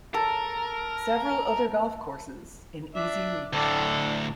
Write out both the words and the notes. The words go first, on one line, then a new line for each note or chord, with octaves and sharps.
Several other golf courses in easy reach.
A4 A#4
D4 E5
D2 A2 D3 D4 A4